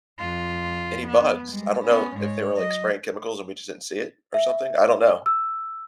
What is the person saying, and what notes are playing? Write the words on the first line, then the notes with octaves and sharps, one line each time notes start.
any bugs. I don't know if they were, like, spraying chemicals and we just didn't see it or something, I don't know.
F2 F4
B3
G3 G#3
B3 C#4
G#2 C#5
F#3 D#5
E5
E6